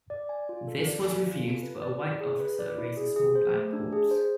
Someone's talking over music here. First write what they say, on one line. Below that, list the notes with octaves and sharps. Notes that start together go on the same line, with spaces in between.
This was refused but a white officer raised a small black corps.
D5
G#5
F4
A4
D5
G#5
F4
A4
B4
D5
E4
G#4
B4
D5
E4
G#4
G#4
C5
A3
D4
G#4
C5